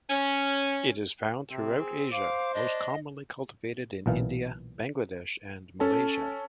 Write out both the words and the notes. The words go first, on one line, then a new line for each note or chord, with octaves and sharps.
It is found throughout Asia, most commonly cultivated in India, Bangladesh and Malaysia.
C#4
C3 C4
G#4
C5 F5 D6
D4 D#5
B1 A#2 E3 F5
C#4 A4 A5